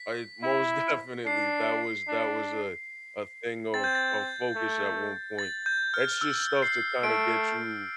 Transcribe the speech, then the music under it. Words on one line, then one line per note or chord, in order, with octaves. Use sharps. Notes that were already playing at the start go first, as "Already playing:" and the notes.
I Most definitely, that was that was, uh, a thing of of focus at one point. It's just stuff to kinda get you
Already playing: B6
E4
D4 C7
D4
C4 A6
G6
A6
A3
A6
G6
F6
E6
C7
A3 D7